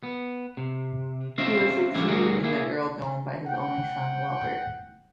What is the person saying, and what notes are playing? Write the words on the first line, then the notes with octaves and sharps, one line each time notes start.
He was succeeded in the earldom by his only son Robert.
B3
C3
C4 C#4 F4 C5 D#5 E5
D3 F3 G3 C#4 E4
D2 G3 F#4 G#4 A#4
A#3 E4 G#4
F#5 G5